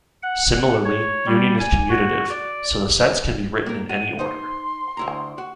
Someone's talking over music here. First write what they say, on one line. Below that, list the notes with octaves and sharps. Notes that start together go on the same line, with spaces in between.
Similarly, union is commutative, so the sets can be written in any order.
F#5
F#5
C#5
G3
G#5
F#4
D5
A#3 A#4
F#4 D#7
D#4 C5 D#5 C6
D2 E4 A#5
F#4